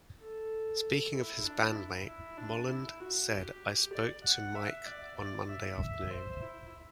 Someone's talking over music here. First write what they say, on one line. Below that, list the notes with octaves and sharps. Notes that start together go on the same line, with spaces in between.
Speaking of his bandmate, Molland said I spoke to Mike on Monday afternoon.
A4
E4
D4
E4
E4
D4
E4
F#4
G4
D5
F#5
E5
D5
D5
E5
E5
C5
E4